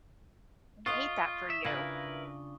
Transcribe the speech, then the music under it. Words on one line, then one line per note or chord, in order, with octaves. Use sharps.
I hate that for you.
F4 D#5 F#5 C#6 D#6 G7
E5
C#3 D4 E4 F4 A#4 B4